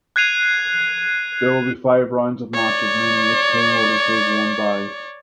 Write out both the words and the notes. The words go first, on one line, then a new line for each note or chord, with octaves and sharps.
There will be five rounds of matches meaning each team will receive one bye.
F#6 G#6 C7 D#7 F7
C#5 D5